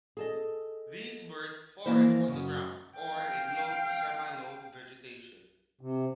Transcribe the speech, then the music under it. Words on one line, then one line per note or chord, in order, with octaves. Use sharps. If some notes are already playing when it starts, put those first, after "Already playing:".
These birds forage on the ground or in low to semi-low vegetation.
G#4 A4 D#5
E3 F3 A#3 E4 C5
F#2 C#3
F5 G5
C3